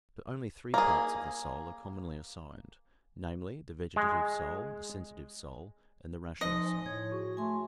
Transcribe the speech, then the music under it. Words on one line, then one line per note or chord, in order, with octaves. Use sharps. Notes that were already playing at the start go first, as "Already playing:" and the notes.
But only three parts of the soul are commonly assigned--namely, the vegetative soul, the sensitive soul, and the rational soul.
A#3 G#4
G#3
F3 D#4 D#5
G#5
A2 C#5 G#6
F#4 G#4 C#6
A3 G#5 C6